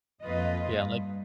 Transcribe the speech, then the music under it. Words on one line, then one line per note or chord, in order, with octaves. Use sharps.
Yeah, like
F2 A#3 F4 B4 D#5
G2